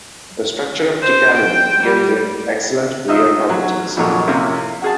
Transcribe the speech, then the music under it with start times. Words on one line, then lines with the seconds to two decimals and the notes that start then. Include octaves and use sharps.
The structure of ticalium gives it excellent wear properties.
1.02 C5
1.34 G5
1.83 G3
3.08 D#4 F4 D#5 E5
3.49 F#3
3.96 G#1 F2 A#2 F#3 A4 C#5
4.28 C3 A#3 C#4 E4 F4
4.82 F#4 G#4 A5